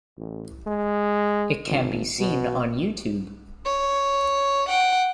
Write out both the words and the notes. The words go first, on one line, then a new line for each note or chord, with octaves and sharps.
It can be seen on YouTube.
A1
G#3
G#1
B2
C#5
F#5 G5